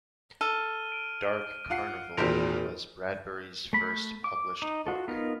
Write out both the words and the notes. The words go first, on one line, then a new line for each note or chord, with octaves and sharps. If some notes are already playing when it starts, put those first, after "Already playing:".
"Dark Carnival" was Bradbury's first published book.
A4 F6 D#7 G7
D7
F4 F#5 C7
G#1 E2 A#2 G4 A#4 C5
A3 B5
D6
D#4
F4 F#4 A4
B3 D#4 F4 A#4